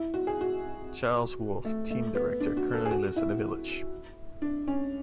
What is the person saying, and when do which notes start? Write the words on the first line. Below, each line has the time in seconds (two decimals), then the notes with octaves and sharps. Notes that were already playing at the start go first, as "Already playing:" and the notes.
Giles Wolfe Team Director currently lives in the village.
Already playing: E4
0.14 F#4
0.27 G#4
0.41 F#4
1.65 A3
1.90 A3
2.15 B3
2.40 D4
2.57 F#4
2.74 A4
2.85 G#4
2.91 F#4
3.16 E4
4.42 D4
4.68 C#4